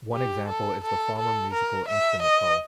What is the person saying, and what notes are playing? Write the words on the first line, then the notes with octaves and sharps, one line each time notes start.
One example is the Farmer Musical Instrument Co!
G4
A4
A4
A4
A#4
E5
D#5